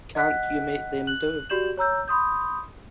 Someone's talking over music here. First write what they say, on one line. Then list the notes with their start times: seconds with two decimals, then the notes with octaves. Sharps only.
Can't you make them do?
0.15 D#5 F#5 F#6 B6
1.07 F#6 F#7
1.49 F#4 G4 D5 G6 E7 F#7
1.78 C#5 A#5 E6 G6
2.08 B5 C6 D#6 G6